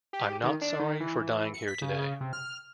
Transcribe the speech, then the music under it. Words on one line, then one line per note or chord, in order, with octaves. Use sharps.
I'm not sorry for dying here today.
G4
D#3
D4
D#3
E3
C#7
B6
C#3
C#3
C3
F6